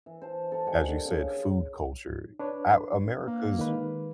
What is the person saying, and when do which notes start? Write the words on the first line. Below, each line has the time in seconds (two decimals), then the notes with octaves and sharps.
as you said, food culture, A America's
0.06 E3
0.22 C5 A5
0.52 A4 A#5
0.67 D#3 G3 F#5 G#5
0.88 D3 F#4
1.05 C#3 F5
2.39 D4 B4 C#5
3.27 A#3
3.59 D#3 G#3 B4